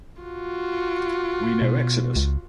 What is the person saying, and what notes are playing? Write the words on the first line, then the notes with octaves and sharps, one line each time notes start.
We know Exodus.
F4 F#4
B2
C#2